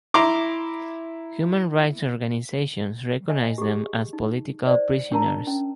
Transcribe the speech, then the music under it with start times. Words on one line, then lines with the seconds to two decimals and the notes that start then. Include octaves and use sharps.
Human rights organizations recognized them as political prisoners.
0.14 E4 A#5 C6 D6
3.29 D#5 E5 G#5
3.58 G4 G#4
4.13 D#4
4.66 C5 D5
5.12 D4 A#4 A5 A#5
5.47 C#4